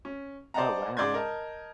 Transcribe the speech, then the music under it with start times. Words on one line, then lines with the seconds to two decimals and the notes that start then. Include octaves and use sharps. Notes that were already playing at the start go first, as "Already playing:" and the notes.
Oh, wow.
0.05 C#4
0.54 C5 D5 D#5 F#5 A5 A#5
0.97 G#2 C#3 D5 C6 G6 G#6
1.14 A#4 D#5 A5